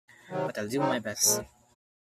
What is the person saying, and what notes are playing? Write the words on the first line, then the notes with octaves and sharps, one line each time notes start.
But I’ll do my best.
C3 D#3 F#3
F#3 C4 D#4
A#2 F3 G#3